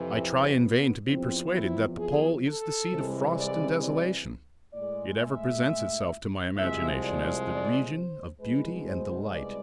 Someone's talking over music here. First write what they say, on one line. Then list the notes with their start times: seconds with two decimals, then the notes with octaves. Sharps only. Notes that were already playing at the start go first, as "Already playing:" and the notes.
I try in vain to be persuaded that the pole is the seat of frost and desolation; it ever presents itself to my imagination as the region of beauty and delight.
Already playing: F2 C3 E3
0.60 B3
1.07 E2 C3 F3 C4
1.52 E4
1.99 G#4
2.44 A4
2.90 C2 C3 E3 G#3
3.36 D5
3.81 D5
4.74 A2 G#3 D5
5.19 E5
6.57 C2 C3 F3 G#3 E5
7.02 D5
7.48 D5
7.95 C5
8.40 C2 B2 G#3 B4
8.86 C5
9.32 D5